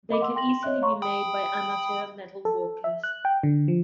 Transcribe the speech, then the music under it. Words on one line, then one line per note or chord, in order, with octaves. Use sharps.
They could easily be made by amateur metalworkers.
A#4 D#5 B5 D6
F5 F#5 C6 D6 E6
G5 C6 A#6 F#7
C#5 D#5 E5 F#6
C#5 F5 A#5 C6 C#6
G5 B5 D#6
A4
E5
F#6
G5
D3
F3